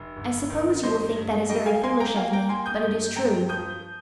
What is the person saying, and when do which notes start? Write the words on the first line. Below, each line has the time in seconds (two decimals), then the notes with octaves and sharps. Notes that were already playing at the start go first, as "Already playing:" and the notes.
I suppose you will think that is very foolish of me, but it is true.
Already playing: F1
0.17 G1
0.50 D#3
0.83 G2 C5 D#5
1.16 G2
1.49 G3 D#5 G5
1.66 F5 G#5
1.83 A#3 G#5 C6
2.00 G5 A#5
2.16 A#3 F5 G#5
2.33 G5 A#5
2.49 A#3 G#5 C6
2.66 D#6 G6
2.83 G2
3.16 G2 G5 A#5
3.49 F3 D#6 G6